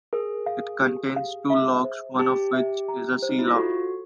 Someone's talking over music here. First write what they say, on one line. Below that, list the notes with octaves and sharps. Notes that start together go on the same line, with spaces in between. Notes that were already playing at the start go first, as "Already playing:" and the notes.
It contains two locks one of which is a sea lock.
G#4 A#4
F5
G4
F5
E5
C5
G4 A5
E5
A#5
C5
D#4
E4
F4
F#4 A4